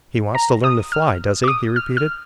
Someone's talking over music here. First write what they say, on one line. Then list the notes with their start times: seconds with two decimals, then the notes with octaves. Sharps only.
"He wants to learn to fly, does he?" he repeated.
0.35 A#5
0.64 D#6
0.92 F6
1.44 D6
1.48 D#6
1.76 F6
1.97 F6